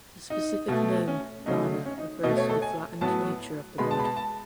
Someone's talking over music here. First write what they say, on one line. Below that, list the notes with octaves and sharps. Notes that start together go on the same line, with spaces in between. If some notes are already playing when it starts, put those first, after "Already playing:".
The specific name "plana" refers to the flattened nature of the body.
D#4
B2 A3
C#4
C#3 F#3 A3 D#4
C#4
D#4
B2 A3 D#5
C#5
A4
G#5
A2 F#3 B3 A5
B2 G#3 B3 B5
A5
B5
A5
A5